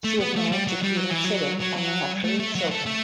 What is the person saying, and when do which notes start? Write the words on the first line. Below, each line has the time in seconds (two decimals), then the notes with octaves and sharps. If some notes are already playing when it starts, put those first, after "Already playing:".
She is married to Peter Chittick, and they have three children.
0.04 A3
0.20 B3
0.36 A3
0.51 G3
0.67 F#3
0.83 G3
0.97 F#3
1.11 E3
1.25 F#3
1.61 F#3
1.77 F#3
2.24 A3
2.40 A3
2.55 F#3
2.71 A3
2.86 A3